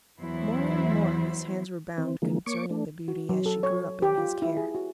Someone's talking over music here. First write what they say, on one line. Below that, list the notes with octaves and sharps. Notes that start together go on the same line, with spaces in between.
More and more his hands were bound concerning the beauty, as she grew up in his care.
E2 E3 F#3 B3 E4 C5
E3 C4
D3 E3 F3 G#3 A#3
A#3 C#5 C#6 D6
A3 D4
F#4
F#3
A4
C#5
G4
F4
E4
G#4
F#4